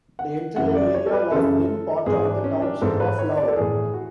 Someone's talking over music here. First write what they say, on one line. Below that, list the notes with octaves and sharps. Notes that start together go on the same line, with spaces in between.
The entire area was then part of the township of Laur.
F#5
F#2 C#3 E3 F#5
D5
C#5
A4
B4
F#2 C#3 E3 A4
G#2 E3 G#4
D4
C#4
D4
G#2 E3 A4
B4
C#5
D5
A4
A2 E3 G#4
F#4